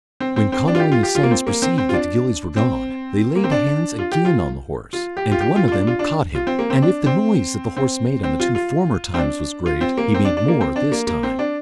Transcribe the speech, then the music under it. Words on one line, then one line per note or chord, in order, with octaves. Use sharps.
When Conall and his sons perceived that the gillies were gone, they laid hands again on the horse, and one of them caught him; and if the noise that the horse made on the two former times was great, he made more this time.
C4
C4
C4
D4
F4
G4
F4
G4
F4
A#3
C4
A#3
C4
C4
F4
D4
C4
A#3
C4
D4
F4
G4
F4
F4
G4
F4
G4
F4
F4
D4
F4
D4
F4
C4
A#3
C4
D4
C4
C4
C4
F4
F4
C4
D4
F4
C4
A#3
C4
D4
D4
A#3
C4
D4
A#3
A#3
C4
D4